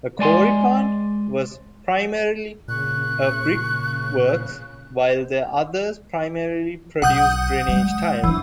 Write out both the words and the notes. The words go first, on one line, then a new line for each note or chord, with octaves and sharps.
The Cory plant was primarily a brickworks, while the others primarily produced drainage tile.
G#3 D5 G#5 C6
A#2 C#3 C#6 F#6
B1 F#5 D#6 G6
G3 G#3
E3 F3 D4